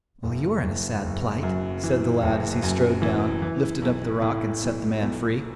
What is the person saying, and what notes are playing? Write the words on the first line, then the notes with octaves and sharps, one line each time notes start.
'Well! you are in a sad plight', said the lad, as he strode down, lifted up the rock, and set the man free.
F#1
F#1
F#1
F#2
E3
F#1
F#2
E3
E3
B1
A2
B1
B1